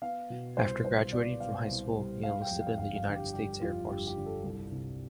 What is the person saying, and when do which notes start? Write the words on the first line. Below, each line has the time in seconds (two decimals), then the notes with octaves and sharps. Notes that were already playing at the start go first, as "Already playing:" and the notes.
After graduating from high school, he enlisted in the United States Air Force.
0.02 B3 F5
0.30 B2
0.57 C2 C5
0.85 G3 C5
1.12 B3 D5
1.40 B2 F5
1.67 C2
1.96 G3
2.23 G3 F5
2.41 G5
2.51 F2
2.60 F5
2.78 G1 F5
2.96 F5
3.05 D3
3.15 G4
3.33 G3 G4
3.61 F2 F4
3.89 G1 G4
4.07 G4
4.16 D3
4.26 A4
4.43 C2 A4
4.72 C3